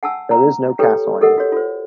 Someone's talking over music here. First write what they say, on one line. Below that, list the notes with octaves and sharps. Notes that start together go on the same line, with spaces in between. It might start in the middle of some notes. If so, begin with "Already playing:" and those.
There is no castling.
F#5 G#5 A5 E6
A#5
G4 A4 B4 C#5 G5
G4 A4 A#4 D#5 F#5
F#4 C#5
F4 C5